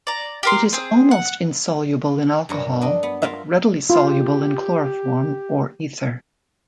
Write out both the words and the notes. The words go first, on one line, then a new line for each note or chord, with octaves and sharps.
It is almost insoluble in alcohol but readily soluble in chloroform or ether.
D5 A#5
G4 A#4 C6
C4 G#4
F#5
G2 F#3 A#4
D4 D#5
B3
F4 A#4 E5
E4 F4
G4